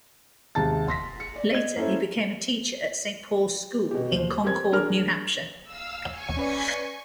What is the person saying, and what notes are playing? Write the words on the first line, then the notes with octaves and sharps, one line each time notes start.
Later, he became a teacher at Saint Paul's School in Concord, New Hampshire.
D#2 C3 G#3 A5 A6
C6 A#6 B6
C#7
D5
D#5 G#6
A#3 C#4 E4 A4 C5
B2 G4
D#2 C5
C4 G4 A#4 G#6
D4 G#4 A#4 F6
F5 E6
G#5 C#6
C#4 B4 D5